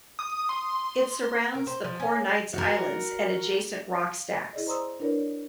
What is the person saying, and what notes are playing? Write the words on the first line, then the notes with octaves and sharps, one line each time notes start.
It surrounds the Poor Knights Islands and adjacent rock stacks.
D#6
C6
A#4
C5
F3
C#4
F#4 A#4
F5
E4 G#4 D5 D#5
C5 A#5 C6 D#6 E6
D4 E4 A#4 B4 C#5 D5